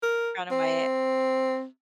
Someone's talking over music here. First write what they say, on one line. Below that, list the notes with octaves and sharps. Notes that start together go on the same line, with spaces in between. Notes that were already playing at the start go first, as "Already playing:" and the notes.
brown or white?
A#4
C4